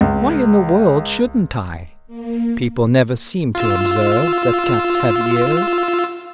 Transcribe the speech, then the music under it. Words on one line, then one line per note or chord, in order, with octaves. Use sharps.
Why in the world shouldn't I! People never seem to observe that cats have ears.
C#2
A#3
F4 E6